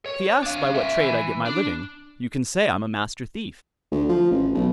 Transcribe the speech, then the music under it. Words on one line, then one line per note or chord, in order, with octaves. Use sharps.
'If he asks by what trade I get my living, you can say I'm a Master Thief.'
C#5
D4 F5
C#4 E5
E3
D4
D2
F3
A1
B1